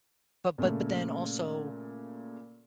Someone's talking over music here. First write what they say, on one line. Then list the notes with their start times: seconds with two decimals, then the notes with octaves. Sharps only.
but but but then also
0.58 A#2 C#3 A3